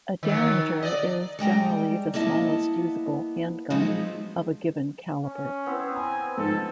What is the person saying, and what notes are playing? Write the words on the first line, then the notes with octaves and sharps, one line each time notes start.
A derringer is generally the smallest usable handgun of a given caliber.
D#3 F#3
D5 D#5
G3 G#3 G5 A#5
A#3 B3 E4 D#5 A5
F3 F#3 G#3 B3 C4 D#4
C#4
B3 C4 E4
G#5 A#5
G#2 F3 D#4 A4